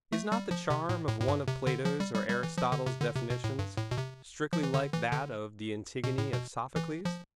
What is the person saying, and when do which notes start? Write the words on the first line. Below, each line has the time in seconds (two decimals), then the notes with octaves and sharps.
Is not the charm of one of Plato's or Aristotle's definitions, strictly like that of the Antigone of Sophocles?
0.13 A3
0.32 G3
0.51 F3
0.70 C3
0.89 A2
1.09 A2
1.21 A2
1.28 G2
1.48 C3
1.67 D3
1.85 F3
2.00 G3
2.15 G3
2.29 G3
2.43 E3
2.58 F3
2.72 D3
2.86 C3
3.01 D3
3.16 C3
3.30 B2
3.44 A2
3.59 G2
3.77 A2
3.91 B2
3.98 C3
4.53 F3
4.63 E3
4.74 D3
4.93 E3
5.12 D3
6.04 B2
6.18 A2
6.33 B2
6.76 E3
7.05 F3